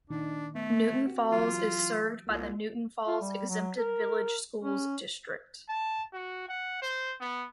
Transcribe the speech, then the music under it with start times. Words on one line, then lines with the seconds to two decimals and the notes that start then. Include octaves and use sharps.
Newton Falls is served by the Newton Falls Exempted Village Schools district.
0.10 A#2 D#3 D4 D#4
0.55 A3 B3
1.06 C4 F#4 G4
1.32 E3 F#3 F4
2.27 C2 A#3 F4
3.07 F4
3.21 G3
3.49 F#3
3.78 A#4
4.64 C#4
5.69 A5
6.13 F#4
6.49 F#5
6.82 C5
7.21 B3